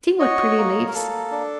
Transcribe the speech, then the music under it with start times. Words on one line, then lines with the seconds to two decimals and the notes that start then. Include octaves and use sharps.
"See what pretty leaves."
0.19 F#4 C#5 D#5
0.58 A#3
0.88 A#4
0.94 A#3 A4
1.31 D4